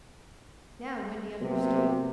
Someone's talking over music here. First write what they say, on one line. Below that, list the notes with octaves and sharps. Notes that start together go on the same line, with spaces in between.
Now Wendy understood.
C3 F#3 A#3 B3